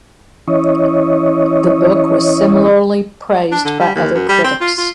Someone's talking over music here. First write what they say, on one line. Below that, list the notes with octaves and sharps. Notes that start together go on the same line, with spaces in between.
The book was similarly praised by other critics.
E3 C#4 E4 C#5 D#5
D4
D3
G3
D#2
F#2
G3
C4
F4
F4